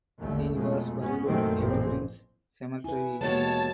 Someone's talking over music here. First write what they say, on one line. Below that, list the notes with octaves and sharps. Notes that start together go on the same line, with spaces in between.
He was buried at Evergreens Cemetery.
G#1 D#2 D3 A3
F2 B2 G#3 A3
G#2 B3 C#4
F#2 A#2 D#3 F#3 A3 C4
A1 A#2 E3 F3 C4
E4 B4 G#5
D#2 B2 E3 G#3 C#5 A5